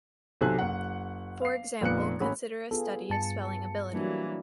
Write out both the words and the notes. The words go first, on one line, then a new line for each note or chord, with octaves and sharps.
For example, consider a study of spelling ability.
B1 C3 A4 G#5 F#6
F#1 F#5
F5 C7
F1 A#2 B3 F#6 C#7
A1 C#4 B5
B3 F4 G#4 A4
G2 A5 C#7
E3 F#3 G3 A#3 D4